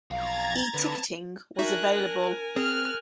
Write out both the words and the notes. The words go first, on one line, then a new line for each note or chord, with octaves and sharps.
E-ticketing was available.
B1 F2 F5 A#5 G#6 A6
D3 C4 B4 A5
D4 D#4 F#4 A#4 E5 G#5 F#6 A#6
C4 G#4 F6 F#6